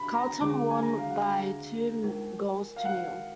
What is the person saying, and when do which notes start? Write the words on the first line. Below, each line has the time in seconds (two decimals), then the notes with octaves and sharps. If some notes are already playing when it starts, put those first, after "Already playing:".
Carlton won by two goals to nil.
Already playing: D4 B5
0.15 A#5
0.41 D3 G#3 D4 G#4 D6
0.70 G#5
0.83 A#5
0.98 F5
1.11 F#5
1.22 G#5
2.04 G#3 D#4 A#4
2.76 F5
2.85 F#5